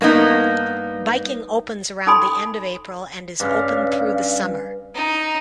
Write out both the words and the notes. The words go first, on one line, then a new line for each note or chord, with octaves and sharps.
Biking opens around the end of April and is open through the summer.
G2 A#3 B3 D#4
D#4 A4 G#5 B5 C6
G2 C#3 F5
D#4